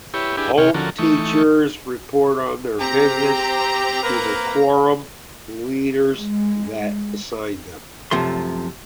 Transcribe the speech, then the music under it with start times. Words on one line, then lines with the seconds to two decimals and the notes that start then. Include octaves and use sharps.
Home teachers report on their visits to the quorum leaders that assigned them.
0.14 E4 G4 B4 C#5
0.37 D4 E4 G4 G#4 B4
0.58 C3 G#4 C#5 G5 F6
0.74 D3 F3 C#4 F#4 A4 A#4
0.99 E3 A3 D#4 C#6
2.79 C4 G4 A#5
4.03 A#3 A#4 B4
6.14 G#3
8.11 F#2 C3 F3 A3 C6